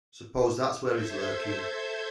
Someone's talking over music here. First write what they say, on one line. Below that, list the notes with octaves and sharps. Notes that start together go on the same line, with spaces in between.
Suppose that's where he's lurking?
A4 C5 E5 G6 G#6